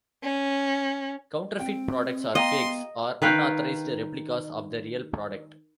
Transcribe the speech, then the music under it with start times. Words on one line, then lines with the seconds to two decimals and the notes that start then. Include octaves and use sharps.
Counterfeit products are fakes or unauthorised replicas of the real product.
0.23 C#4
1.59 C4 G5
2.35 B3 D#5 F5 G5 A#5 C6
3.22 D#3 B4 F5 G5